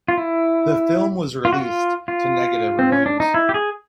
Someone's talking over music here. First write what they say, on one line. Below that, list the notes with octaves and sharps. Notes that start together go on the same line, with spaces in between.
The film was released to negative reviews.
F4
E4
F4
F#4
F4
F4
C4
C#4
D4
D#4
E4
G4
G#4